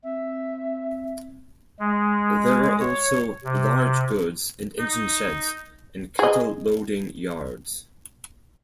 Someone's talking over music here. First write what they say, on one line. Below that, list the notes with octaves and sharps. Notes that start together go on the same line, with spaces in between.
There are also large goods and engine sheds, and cattle loading yards.
C4 E5
G#3
C#5
C3
D#4
G#4 D#5